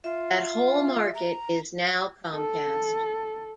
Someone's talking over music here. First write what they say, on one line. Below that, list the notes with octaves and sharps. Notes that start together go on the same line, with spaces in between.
That whole market is now Comcast.
F4 E5
A#5
A4